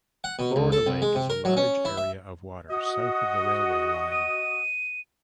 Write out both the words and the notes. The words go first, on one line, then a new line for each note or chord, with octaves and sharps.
Florida Lake is a large area of water south of the railway line.
F#5
B2
C#2
A4
C2
G#3
C3
A#4
F#3
C#4
E4
E5
F#4 D#5 D#6
D#7